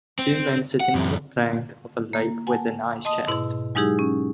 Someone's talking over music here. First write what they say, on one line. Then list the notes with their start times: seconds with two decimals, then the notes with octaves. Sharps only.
Two men sitting on the bank of a lake with an ice chest.
0.19 C4
0.80 F#5
0.94 F#2 E3
2.13 A#3
2.47 F#5 G#5 A5
3.05 D#5 A5 C6 D#6
3.27 G#2 B2 E4 C6
3.75 F#3 G#3 D#4 E4 G4 G#4
3.99 C#4